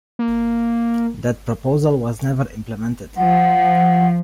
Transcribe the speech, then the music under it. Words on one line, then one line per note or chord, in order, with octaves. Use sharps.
That proposal was never implemented.
A#3
F3 F#5